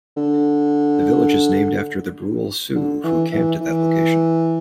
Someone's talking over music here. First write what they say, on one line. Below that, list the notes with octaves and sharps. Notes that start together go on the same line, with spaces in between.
The village is named after the Brule Sioux, who camped at that location.
D3
D3
E3
E3
E3